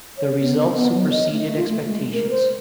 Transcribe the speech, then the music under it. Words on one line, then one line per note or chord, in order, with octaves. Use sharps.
The result superseded expectations.
C#5
B3
B3
F#3
D#5
A3
F4
A3
G#3
A#4
C5